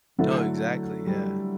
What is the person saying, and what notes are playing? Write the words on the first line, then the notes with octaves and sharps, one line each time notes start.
No, exactly, yeah.
D3 F#3 A3 E4 A4
G3